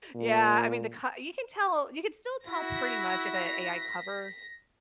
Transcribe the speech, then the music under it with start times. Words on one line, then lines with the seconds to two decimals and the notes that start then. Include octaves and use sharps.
yeah, I mean, the co you can tell you could still tell pretty much if a AI cover
0.15 A#2
2.47 E4 F#4 A#6 B6